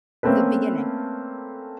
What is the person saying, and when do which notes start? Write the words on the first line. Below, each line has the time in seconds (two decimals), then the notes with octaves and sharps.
the beginning.
0.23 A3 A#3 C4 C#4 A4 B4